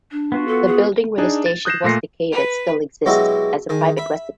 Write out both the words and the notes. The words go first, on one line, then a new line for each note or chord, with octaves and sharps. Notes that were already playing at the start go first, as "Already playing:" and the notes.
The building where the station was located still exists as a private residence.
D4
B3 F4 F#4
A4
G#4
D4 D#4 G#4
A6
D#6 F#6 G6 A#6 C7 E7
A#2 A3 C6 A#6 C7 C#7
B4
B2 F#3 G#3 E4 F#4 G4
D#3 G#4
E5 B5